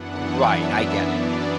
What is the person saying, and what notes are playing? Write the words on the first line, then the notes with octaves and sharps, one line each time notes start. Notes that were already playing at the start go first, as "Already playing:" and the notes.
Right, I get it.
Already playing: F#2 E3 B3 D4 F#5
E5
D5